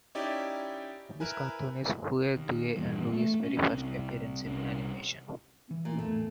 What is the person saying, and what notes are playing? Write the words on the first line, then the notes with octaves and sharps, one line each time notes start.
This cartoon is Huey, Dewey, and Louie's very first appearance in animation.
C#4 D#4 E4 G4 D5
E4 A#4 B4 G#5
D#2
G#1 E2 G2 A#2
A3
C#4
C2
C2 C#4
E3
A#2
G#1 E2 A2 A3